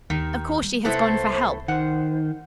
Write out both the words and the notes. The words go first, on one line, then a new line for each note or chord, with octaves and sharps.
Of course she has gone for help.
D#2 D#3
G3
C2 A3 B3 C4 E4 C5
D#3 C5 F#5